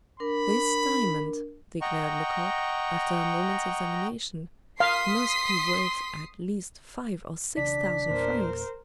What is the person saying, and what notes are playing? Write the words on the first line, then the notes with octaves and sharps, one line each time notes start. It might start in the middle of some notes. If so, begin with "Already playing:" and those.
"This diamond," declared Lecoq, after a moment's examination, "must be worth at least five or six thousand francs."
D4 A#4 B5
D#5 F#5 G5 A#5 C#6
F5 C6 D#6 B6 C7
B1 C#3 E3 D4 B6
E2 A#2 A#3 A#4 C5